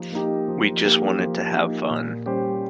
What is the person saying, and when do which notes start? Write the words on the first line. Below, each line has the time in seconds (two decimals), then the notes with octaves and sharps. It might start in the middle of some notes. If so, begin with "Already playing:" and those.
We just wanted to have fun.
Already playing: F3 A#3 D#4 G4
0.13 A#3 D#4 G4
0.48 F3
0.85 A#3 D#4 G4
1.19 F3
1.55 A#3 D#4 G4
1.90 A#2
2.26 G3 C#4 G4 C5